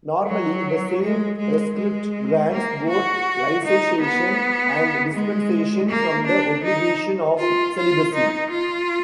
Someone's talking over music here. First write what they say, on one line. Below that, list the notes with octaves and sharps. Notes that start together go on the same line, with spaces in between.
Normally, the same rescript grants both laicization and dispensation from the obligation of celibacy.
F#3
G#3
G#3
G#3
A#3
F#4
D#4
B3
G#3
A#3
D4
D#4
F4
F4
D#4
F4